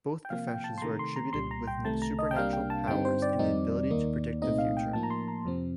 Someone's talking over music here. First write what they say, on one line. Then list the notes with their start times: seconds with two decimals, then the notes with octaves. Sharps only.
Both professions were attributed with supernatural powers and the ability to predict the future.
0.25 G5
0.30 C3 F3 A#3 F5
0.48 G5
0.64 A5
0.78 C6
0.82 C3 D#3 A3 A#5
0.99 C6
1.16 A#5
1.33 C2 A#2 G3 C6
1.51 A#5
1.67 G5
1.84 C2 C3 D#3 A3 A5
2.02 A#5
2.19 D#5
2.31 G5
2.36 C2 C3 G3 A#3 D4 F5
2.53 G5
2.70 A5
2.87 G2 D3 G3 C4 D#4 G5
3.05 C5
3.22 D5
3.39 F2 D#3 G3 C4 D#4
3.90 D#2 D#3 A#3 D#4
4.42 C2 A#2 A3 C4 D#4 D#5
4.58 F5
4.77 G5
4.93 A2 F3 A#3 D#4 A5
5.03 A#5
5.10 C6
5.28 A#5
5.45 F2 C3 F3 C4